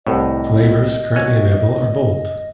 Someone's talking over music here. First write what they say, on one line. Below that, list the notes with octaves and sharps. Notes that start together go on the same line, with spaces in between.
Flavors currently available are bold.
C2 A2 D#5
F#4 C#5 G#5